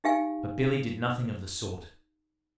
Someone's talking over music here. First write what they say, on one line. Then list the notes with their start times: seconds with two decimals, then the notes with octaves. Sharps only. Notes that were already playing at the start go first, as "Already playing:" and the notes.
But "Billy" did nothing of the sort.
0.04 D#4 G4 F5 G#5